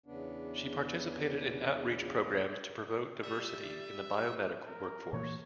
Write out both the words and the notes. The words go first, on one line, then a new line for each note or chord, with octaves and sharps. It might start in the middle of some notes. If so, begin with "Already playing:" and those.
She participated in outreach programs to promote diversity in the biomedical workforce.
E2 C#3 B3 D4
G3 E5
A#4
A#2 E3 A#3 C#5